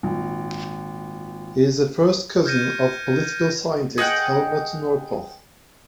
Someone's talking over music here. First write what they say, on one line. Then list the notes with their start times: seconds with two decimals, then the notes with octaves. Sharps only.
He is a first cousin of political scientist Helmut Norpoth.
0.03 G#1 A#2
2.45 F6 G6 G#6 A#6 C#7 D#7
3.98 G#4 D#5 F#5 G5